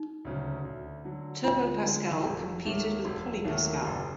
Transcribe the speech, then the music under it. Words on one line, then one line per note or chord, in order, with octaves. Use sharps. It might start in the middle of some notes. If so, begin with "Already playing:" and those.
Turbo Pascal competed with PolyPascal.
Already playing: D#4
D2 C#3 F#3
D2
D3 F#3
D2 F4
D3 F#3
F1
D#2 D#3 F#3 A3
F1 F#4
D#2 D#3 F#3 A3
F#1